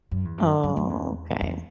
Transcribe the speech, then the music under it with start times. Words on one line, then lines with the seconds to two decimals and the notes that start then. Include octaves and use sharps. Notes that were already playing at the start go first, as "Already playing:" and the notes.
Oh, okay.
0.11 F#2
0.25 E2
0.38 F#2
0.63 F#2
0.77 F#2
0.89 E2
1.42 E2